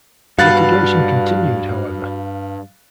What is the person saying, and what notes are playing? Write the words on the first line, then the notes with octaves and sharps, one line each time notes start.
Litigation continued, however.
G2 F#4 B4 F5 F#6 A6